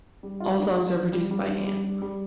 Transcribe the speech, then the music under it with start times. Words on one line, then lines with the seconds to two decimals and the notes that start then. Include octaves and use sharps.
All songs are produced by Ant.
0.23 G3
0.40 F4
0.59 D4
0.76 F4
0.94 F4
1.13 G3
1.31 G3
1.48 D4
1.66 G3
1.84 G3
2.02 G3